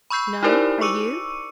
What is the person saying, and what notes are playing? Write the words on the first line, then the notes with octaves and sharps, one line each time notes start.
"No; are you?"
B5 C#6 E6 G6 C7
D#4 E4 G4 A#4 C5 D5
C#6 D6 E6 C#7 D#7